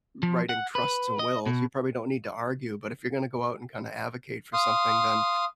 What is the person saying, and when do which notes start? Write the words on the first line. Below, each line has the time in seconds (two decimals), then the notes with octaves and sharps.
writing trusts and wills, you probably don't need to argue, but if you're gonna go out and kinda advocate for something, then
0.23 F3
0.49 F#5
0.75 B4
1.19 D#5
1.46 B2
4.53 F5 C6 D#6